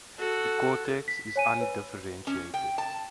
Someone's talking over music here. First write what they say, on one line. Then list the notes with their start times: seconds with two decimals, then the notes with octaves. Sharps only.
The cortex is undifferentiated.
0.18 F#4 A4
1.08 B6
1.36 C#5 G#5 D#7
1.61 B4
2.27 C#4
2.54 G5
2.78 A5